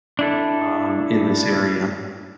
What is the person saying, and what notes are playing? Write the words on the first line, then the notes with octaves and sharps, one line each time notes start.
um, in this area,"
D4 E4 A4